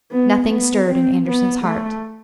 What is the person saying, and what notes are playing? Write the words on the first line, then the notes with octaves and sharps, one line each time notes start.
Nothing stirred in Andersen's heart.
B3
B3
C4
B3
A3